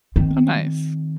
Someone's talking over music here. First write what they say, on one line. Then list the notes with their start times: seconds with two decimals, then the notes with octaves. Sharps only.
Oh nice.
0.16 D#3 C4